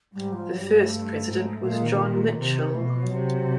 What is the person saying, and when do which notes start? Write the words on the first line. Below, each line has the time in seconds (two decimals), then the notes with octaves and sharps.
The first president was John Mitchell.
0.14 G#2 G3
0.33 F3
0.51 G2 F#3
0.61 G3
0.69 G#3
0.79 A3
1.26 G#2
1.62 A#2 A3
1.72 G#3
1.82 D#3
1.91 D3
2.00 D#3
2.38 C3
2.75 B2 A3
2.93 F3
3.02 F#3
3.12 C3